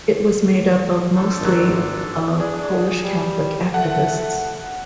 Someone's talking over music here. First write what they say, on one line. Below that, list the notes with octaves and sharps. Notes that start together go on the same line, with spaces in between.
It was made up of mostly of Polish Catholic activists.
D4 A4 C5
G#1 F#3
D4 G#4
G3
A3 F#5